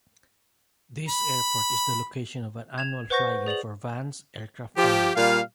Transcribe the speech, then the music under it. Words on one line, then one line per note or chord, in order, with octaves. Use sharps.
This airport is the location of an annual fly-in for Van's aircraft owners.
B5
G#6 E7 F7
B4 C5 F#5 C#6 G6 A#6
G#4 D5 F7 F#7
F3 F4 G4
A#2 G3 F5